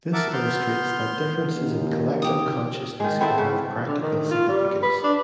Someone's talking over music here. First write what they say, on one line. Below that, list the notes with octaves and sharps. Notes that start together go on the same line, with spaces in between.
This illustrates that differences in collective consciousness can have practical significance.
A#4 E5 F#5 A5 D6
B3 C6 F6 G6
D#2
G4 D#6
D#3 G#3
B3 C4 E4 A4
C#3
D3
D#3
F4
G3
B4
D4